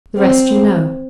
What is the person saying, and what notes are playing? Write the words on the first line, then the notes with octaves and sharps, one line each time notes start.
The rest you know.
C4